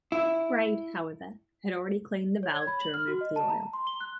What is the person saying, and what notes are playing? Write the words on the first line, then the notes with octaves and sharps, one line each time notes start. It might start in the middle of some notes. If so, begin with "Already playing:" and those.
Brade, however, had already cleaned the valve to remove the oil.
E4
C#5
G#6
B5
F#7
F6
F#4
D#5
A5
A#5
C6
G7
F#6